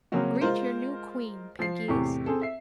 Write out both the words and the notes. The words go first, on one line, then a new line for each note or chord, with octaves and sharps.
"Greet your new Queen, Pinkies!"
C#3 F#3 A#3 C4 C#4 F#4
G#3 F4 A#4 C5
F3 C7
E2 A2 C3 G4 C#6
C4 G#4 A4
E5 C7